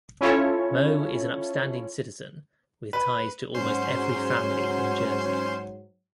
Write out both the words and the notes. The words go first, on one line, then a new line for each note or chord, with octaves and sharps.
Mo is an upstanding citizen with ties to almost every family in Jersey.
C#4 E4 F4 A4 C#5
B4
G#2 F#3 C#4 C5 C6